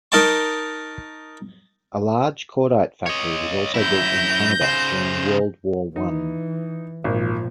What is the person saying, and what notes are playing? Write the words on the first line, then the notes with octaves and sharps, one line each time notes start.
A large cordite factory was also built in Canada during World War One.
D#4 A#4 D#5 G5 A5 C#6
C#5 D#5
F#2 E4 G6 A#6
C#3 C5
E3 D#4
G#1 A#2 F3